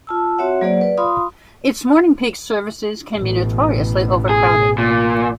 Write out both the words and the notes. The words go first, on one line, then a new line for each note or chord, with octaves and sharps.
Its morning peak services can be notoriously overcrowded.
F4 A5 E6
C4 F#4 C#5 E5 F#5
F#3 A#3 G#4 C5 D5 F#5
B4 D5
F4 F5 B5 C6 D#6
A1 B2
G#4
A#2